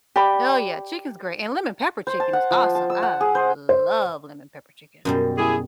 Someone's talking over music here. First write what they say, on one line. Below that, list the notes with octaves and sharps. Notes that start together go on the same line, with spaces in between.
Oh yeah, chicken's great, and lemon-pepper chicken is awesome. I love lemon-pepper chicken.
G4 D5 B5
C5
A5
F#5
F3
A5
E6
F#5
G#4
C5
C5
F#2 B2 G3
E4 G4 G#4